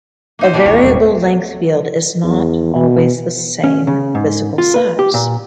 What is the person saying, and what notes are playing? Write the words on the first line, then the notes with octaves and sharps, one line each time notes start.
A variable length field is not always the same physical size.
A#3 D#4 C5
B2 G3 A#3
D#2 E4 C#5
D#1 A1
E2
B2
C#4
C#3
G#2
F4
B4
G4
A#2